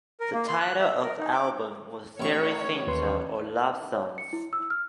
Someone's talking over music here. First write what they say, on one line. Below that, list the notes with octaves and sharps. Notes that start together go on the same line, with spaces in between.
The title of the album was "Seri Cinta" or Love Songs.
A#4
A#3
C6
F#6
E5
A#4
D#4
D6
A1 C#5 C#6
D#2 B4 C6
C#5
C#7
E4
E6
F6